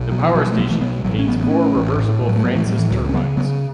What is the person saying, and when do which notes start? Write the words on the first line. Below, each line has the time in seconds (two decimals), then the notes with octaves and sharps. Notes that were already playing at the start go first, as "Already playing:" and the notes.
The power station contains four reversible Francis turbines.
Already playing: B1
0.12 B2 F#3
0.23 E3
0.35 B2 F#3
0.47 F#3
0.52 A3
0.58 B1 F#3 B3
0.70 E3 A3
0.81 B2 F#3 B3
1.04 A1 F#3
1.19 C#4
1.27 A1 F#3 B3
1.44 B3
1.51 A1 A3 C#4
1.75 A1
1.97 A2
2.21 A2
2.28 F#3
2.36 A3
2.44 A2 F#3 B3
2.56 E3 A3
2.67 A2 F#3
2.79 E3
2.91 C#2 F#3
3.09 C#4
3.13 C#3 F#3 B3
3.37 C#3 F#3 B3